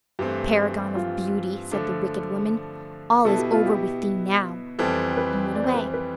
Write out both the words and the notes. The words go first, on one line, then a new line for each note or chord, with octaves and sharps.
"Paragon of beauty!" said the wicked woman, "all is over with thee now," and went away.
G2 E3 A3 C4 G4
F4
D3 F3 A3 D4
B2 B3 E4 A4
G4
F4
G4
F2 E3 G3 C4 A4
B4
D5
C5
B4
C5
B4